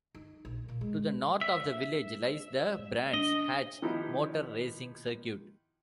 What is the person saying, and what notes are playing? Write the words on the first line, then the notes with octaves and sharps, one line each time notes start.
To the north of the village lies the Brands Hatch motor racing circuit.
D#4
A#1
A#2
G#3
E5
D4 D#5
D#3 F3 B3 D#4 E4 G4